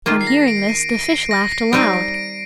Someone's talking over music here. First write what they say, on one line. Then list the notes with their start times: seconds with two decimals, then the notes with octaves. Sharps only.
On hearing this the fish laughed aloud.
0.06 D#3 A#3 F4 G#4
0.21 C7
0.27 A#6
0.48 D7
0.68 D#7
0.90 D7
1.10 C7
1.31 A#6
1.52 C7
1.73 G3 C4 D#4 D7
1.93 D7
2.14 D7